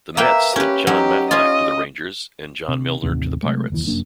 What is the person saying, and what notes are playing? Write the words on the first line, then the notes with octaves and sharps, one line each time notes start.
The Mets sent Jon Matlack to the Rangers and John Milner to the Pirates.
A#3 B4 E5 G5
C#4 G4 B4
F#3 C#4 D#4 G4
C#4 F4 D#5
C3
A1 D#2 C3 D#3
C3 F#3 G#3 A3
F#1 D#2 E3
F1 F#2 A#3 D4